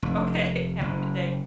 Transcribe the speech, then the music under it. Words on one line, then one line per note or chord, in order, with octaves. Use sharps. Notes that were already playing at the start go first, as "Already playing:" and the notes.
Okay. Have a good day.
F1
F#1